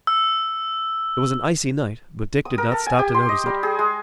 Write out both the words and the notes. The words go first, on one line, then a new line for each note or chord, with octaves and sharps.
It was an icy night, but Dick did not stop to notice it.
E6
D#6
A#4
A4
G#5
G4
C6
D#5
G3
G#4
G#3